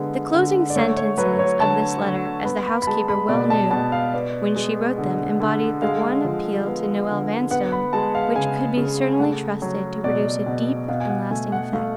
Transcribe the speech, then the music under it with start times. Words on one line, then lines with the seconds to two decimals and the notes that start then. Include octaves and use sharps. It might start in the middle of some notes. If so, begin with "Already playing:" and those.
The closing sentences of this letter--as the housekeeper well knew when she wrote them--embodied the one appeal to Noel Vanstone which could be certainly trusted to produce a deep and lasting effect.
Already playing: D3 G#3 B3
0.33 D3
0.70 D5
0.76 A3 C#5
0.97 C#5
1.18 F#3 B4
1.39 C#5
1.60 D3 A5
2.03 D3
2.45 B3 B5
2.66 B5
2.82 B5
2.87 G#3 A5
3.08 B5
3.29 B2 D5
3.50 A5
3.71 B2 A5
3.92 F5
4.14 B3 D5
4.55 G#3
4.98 D3
5.40 D3
5.82 G#3 F5
6.25 F3
6.67 B3
7.09 D3
7.51 B3 F#5
7.72 B5
7.93 G#3 A5
8.15 F5
8.36 C#3 G#5
8.77 C#3
9.19 A3 F#5
9.62 F#3
10.04 B2 D5
10.46 B2
10.88 B2 F5
11.00 G#5
11.09 F#5
11.31 A3 G#5
11.52 F#5
11.73 A3 F5